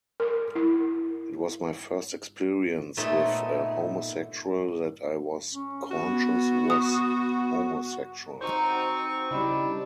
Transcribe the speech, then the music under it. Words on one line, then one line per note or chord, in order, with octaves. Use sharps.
It was my first experience with a homosexual that I was conscious was homosexual.
A#4
E4
A#2 A3 B3 D#4 C#5 E5
C#4
B3 F#4
D#6
C4 D#4 F#4 A#4 C5 C#6
C#3 G3 D4 E4 D#5 B5